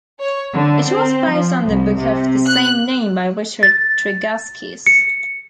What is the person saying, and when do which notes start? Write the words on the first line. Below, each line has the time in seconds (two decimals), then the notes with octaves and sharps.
It was based on the book of the same name by Richard Tregaskis.
0.20 C#5
0.52 D3
0.86 C4
1.29 F3
1.64 C2
1.98 C3
2.46 F#6
3.63 A6
4.87 C#7